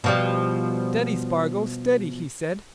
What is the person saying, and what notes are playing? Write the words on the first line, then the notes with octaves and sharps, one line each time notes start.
"Steady, Spargo, steady!" he said.
B2 F3 G3